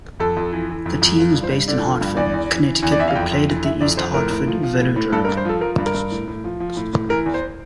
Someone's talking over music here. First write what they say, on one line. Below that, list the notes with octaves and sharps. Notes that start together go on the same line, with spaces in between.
The team was based in Hartford, Connecticut but played at the East Hartford Velodrome.
F2 A4
F2
E3
E3
F2
F2
F3
G2
C5
G2
D3 D5
F3
G2
E2 D5
E2
E3
E3
E2
D5
E2 E5
F5
F2 G5
F2
E3
E3 E5
F2 D5
F2 C5
A2 A#4
A2
F3
F3
A2
A2
G2 A4
A#4
G2
C5
F3 A4
F3 A#4
G2
A#4
G2
A2
A2
F3
F3
A2
A2
E3 A#4
E2
C5